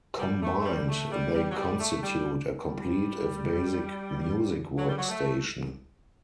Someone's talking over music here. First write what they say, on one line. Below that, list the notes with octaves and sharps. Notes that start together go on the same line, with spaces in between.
Combined, they constitute a complete, if basic, music workstation.
G3
A3
A3
G3
A3
G3
G3
F#3
G3
A3
G3
G3
F#3
G3
F#3
A3